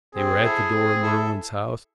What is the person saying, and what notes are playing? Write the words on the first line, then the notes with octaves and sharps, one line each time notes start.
They were at the door of Merwin's house.
C4 G#4
E4 A4 E5
C4
E4 A4 E5